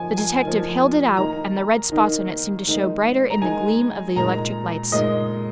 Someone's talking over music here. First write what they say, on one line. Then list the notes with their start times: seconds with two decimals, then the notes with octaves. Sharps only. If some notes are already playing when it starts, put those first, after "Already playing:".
The detective held it out, and the red spots on it seemed to show brighter in the gleam of the electric lights.
Already playing: F3 A#3 D#4 G#5
0.18 G#5
0.42 F3 A#3 D#4
1.17 D#3 A#3 D#4 A#5
1.92 D#3 A#3 D#4
2.67 D#3 G#3 D#4
3.30 A#5
3.41 D#3 G#3 D#4 G#5
4.16 A#2 G#3 D#4 A#5
4.92 A#2 G#3 D#4 D#5